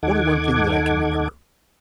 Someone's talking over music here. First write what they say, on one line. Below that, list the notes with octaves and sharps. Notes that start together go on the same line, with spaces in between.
Only one thing that I can remember.
D#2 D#4 A4 F#5 D6 G#6